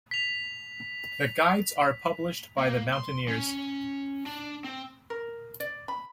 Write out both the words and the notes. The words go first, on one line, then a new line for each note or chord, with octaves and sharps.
The guides are published by The Mountaineers.
B6 F7
A#3
C6
C#4
D4
C4
A#4
D5
B5